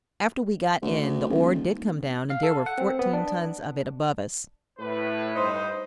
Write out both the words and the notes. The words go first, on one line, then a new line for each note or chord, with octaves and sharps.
After we got in, the ore did come down and there were fourteen tons of it above us.
D2
D#1
F5
A4
F#5
C4
B3
D4
A2 B4
G2 D#4 C5